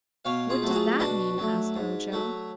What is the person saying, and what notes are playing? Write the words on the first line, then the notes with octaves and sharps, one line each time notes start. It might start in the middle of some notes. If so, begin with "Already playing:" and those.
"What does that mean?" asked Ojo.
B2 C#5 F5
F4 G#4
F#3 A3
F#4
F4 G#4
B2 D4 F#4
F#3 A3
G#2
F#3 A3